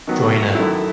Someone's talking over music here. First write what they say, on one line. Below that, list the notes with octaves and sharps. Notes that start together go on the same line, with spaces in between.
join a
D#3 F#3 B3
F#2 D#3 A3 E4